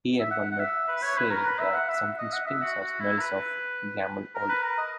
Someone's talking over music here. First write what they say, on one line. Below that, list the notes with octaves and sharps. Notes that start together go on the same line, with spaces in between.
Here one might say that something stinks or smells of "Gamle Ole".
E5
F#5
F#5
E5
B4
C#5
B4
A#4
B4
E5
F#5
E5
D#5
F#5
E5
F#4
F#4
E4
B4
A#4
B4
A#4
D#5